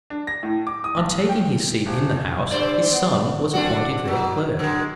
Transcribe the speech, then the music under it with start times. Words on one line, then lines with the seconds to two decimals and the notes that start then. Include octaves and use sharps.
On taking his seat in the house, his son was appointed their clerk.
0.10 D4
0.27 A#6
0.43 A2
0.67 D6
0.84 D#6
0.97 B1
1.29 G5
1.86 D#1
2.51 G2 C5 D5
2.92 B3
3.53 C4 D4 F#4
4.05 B2 F#3
4.59 D3 F#3 G#3